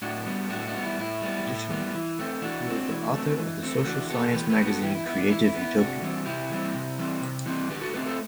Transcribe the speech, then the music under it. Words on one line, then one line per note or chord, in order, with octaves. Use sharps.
Additionally, he was the author of the social science magazine “Creative utopia”.
A2 D4 F#4
G3 B3
A2 D4 F#4
D4 F#4
G3 B3
E4
A2 E4
G3 B3
A2
G3 B3
E3
A3 C4
E3 D4 F#4
A3
C4
E3
A3 C4
E3
A3 C4
E3 D4 F#4
B3 F#4 A4
E3 G4 B4
G4 B4
B3
F#4 A4
E3 E4 G4
E4
B3 E4
D4
E3 E4
E4
B3
E4
C3 D4 F#4
E3 G3 C4
C3 E4 G4
E3 G3 C4
C3
E3 G3 C4
C3
E3 G3 C4
D3 G4 B4
F#4 A4
A3 C4 G4 B4
A4 C5